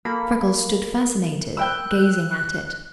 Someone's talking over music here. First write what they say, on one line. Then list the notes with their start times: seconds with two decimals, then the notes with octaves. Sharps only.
Freckles stood fascinated, gazing at it.
0.05 A#3 A4 B5
1.57 C5 G5 B5 E6 F#6 G6